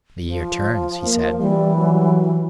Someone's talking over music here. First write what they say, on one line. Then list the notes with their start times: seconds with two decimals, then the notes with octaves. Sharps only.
"The year turns," he said.
0.26 F3
1.03 A#3
1.40 E3 G3
1.76 F#3